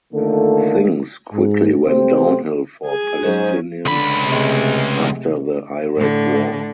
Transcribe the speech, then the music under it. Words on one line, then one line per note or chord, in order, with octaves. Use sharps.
Things quickly went downhill for Palestinians after the Iraq War.
D3 D#3 A3 A#3 F4 A4
G#2
C3 A3 C4 G4 C5
G#4 G#5
G#2 F#3 C#4 C5
C#2 D3 B5
C3 G#3 A3
A2 D3